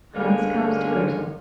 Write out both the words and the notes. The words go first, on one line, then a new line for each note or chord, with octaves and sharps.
Hans comes to Grettel.
D2 G2 D3 G#3 A#3 C#4